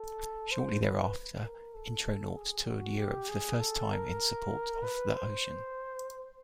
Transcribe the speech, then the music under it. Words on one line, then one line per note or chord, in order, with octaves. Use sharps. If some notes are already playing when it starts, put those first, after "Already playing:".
Shortly thereafter Intronaut toured Europe for the first time in support of The Ocean.
Already playing: A4
C5
B4
A#4
A4
G#4
F#4
G4
G#4
A4
A#4
B4
C5